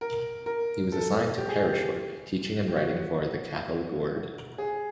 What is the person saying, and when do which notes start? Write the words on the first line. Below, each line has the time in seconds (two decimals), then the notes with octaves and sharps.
He was assigned to parish work, teaching and writing for the "Catholic Word".
0.01 A#4
0.46 A#4
0.92 A4
1.38 G4
1.49 G#4
1.61 G4
2.68 G4
2.76 F#4
4.58 G#4